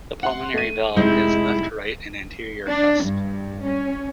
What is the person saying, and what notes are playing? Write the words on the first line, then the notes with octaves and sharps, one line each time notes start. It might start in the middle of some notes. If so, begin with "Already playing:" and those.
The pulmonary valve has left, right, and anterior cusps.
F#5 C6
A3 D#7
F1 G#3 D#4 E4 G6
D4
G2
C#4